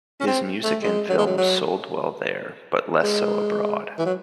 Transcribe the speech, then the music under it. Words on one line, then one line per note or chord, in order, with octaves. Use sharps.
His music and films sold well there but less so abroad.
C#4
C4
A3
G#3
F#3
G#3
F#3
F#3
G#3
E3
F#3